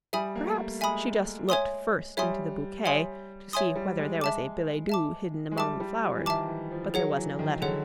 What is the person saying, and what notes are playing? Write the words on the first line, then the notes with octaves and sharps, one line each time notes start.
Perhaps she just looked first into the bouquet, to see whether there was a billet-doux hidden among the flowers; but there was no letter.
G3 E5 G#5 B5 D#6
A#3
A3
G#3 E5 G#5 B5 D#6
C#5 E5 G#5 C6 D#6
G3 C#5 E5 G#5 C6 D#6
C#5 E5 G#5 C6 D#6
C#5 E5 G#5 C6 D#6
G3
G#3
E5 A5 D6
E5 A5 D6
G#3
G3 E5 A5 D6
G3
F3
E3
D#3 E5 A5 D6
E3
F3
F#3 G#4 C#5 F#5
E3
D#3
D3 G#4 C#5 F#5